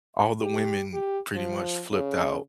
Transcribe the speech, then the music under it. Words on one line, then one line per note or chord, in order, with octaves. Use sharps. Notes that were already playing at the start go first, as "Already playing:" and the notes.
All the women pretty much flipped out,
G4
G4
F3
C#3